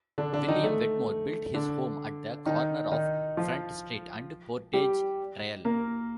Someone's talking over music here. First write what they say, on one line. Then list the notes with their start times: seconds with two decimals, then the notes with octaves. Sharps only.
William Wetmore built his home at the corner of Front Street and Portage Trail.
0.18 D3 D4
0.33 D3 D4
0.48 D#3 D#4
0.64 A3
1.54 D3 D4
2.46 D#3 D#4
2.91 D#3 D#4
3.37 F3 F4
4.73 G3 G4
5.65 A#3 A#4